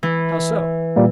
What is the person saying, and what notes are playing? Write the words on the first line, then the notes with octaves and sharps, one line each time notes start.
"How so?"
E3
A#2 G3 A#3